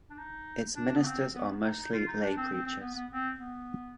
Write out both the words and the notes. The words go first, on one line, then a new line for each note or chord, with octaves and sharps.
Its ministers are mostly lay preachers.
D4
D#4
D4
B3
C4
B3
D#4
D#4
F4
D#4
D4
C4
C4
C4
B3
B3
C4
B3